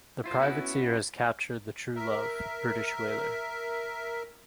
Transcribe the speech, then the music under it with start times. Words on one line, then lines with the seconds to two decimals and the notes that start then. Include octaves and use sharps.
The privateer has captured the "Truelove", British whaler.
0.24 E4 F4 C5
0.39 B3 C#4 D4 E4 F#4
1.96 A#4 E5